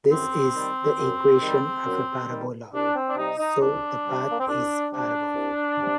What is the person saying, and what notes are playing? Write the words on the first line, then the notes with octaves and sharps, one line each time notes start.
This is the equation of a parabola, so the path is parabolic.
F#2 C4
D#3 G3
F#2
D#3 G3
F#2
D#3 G3
C2 D4
C4
D4
C3 G3 D#4
D#4
C2 D4
C3 G3
A#3
C4
C2 D4
C3 G3 D4
C2
C3 G3